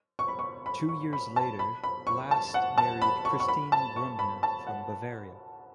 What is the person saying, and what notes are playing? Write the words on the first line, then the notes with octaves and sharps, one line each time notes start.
Two years later, Last married Christine Grundner from Bavaria.
C#6
B5
C#6
B5
C#6
B5
A5
B5
B5
C#6
A5
F#5
A5
B5
C#6
C#6
B5
A5
C#6
B5
A5
F#5